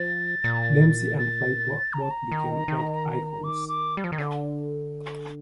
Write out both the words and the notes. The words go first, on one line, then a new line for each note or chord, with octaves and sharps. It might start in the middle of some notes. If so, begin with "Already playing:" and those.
Dempsey and Firpo both became icons.
Already playing: F3 A6
A#2
A6
A#5
A5
A#5
D#3
D#3
D6
D6
G3
F3
D#3
D3